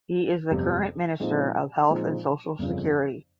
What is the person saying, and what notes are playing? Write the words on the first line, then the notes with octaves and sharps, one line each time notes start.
He is the current Minister of Health and Social Security.
G1 F2 C3
A#2 F3 G#3 C4 D#4
A#2 F3 G#3 C4 D#4
G1 F2 C#3 F3